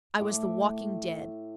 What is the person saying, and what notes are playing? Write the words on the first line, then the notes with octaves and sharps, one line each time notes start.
I was the walking dead.
A2 E5 D6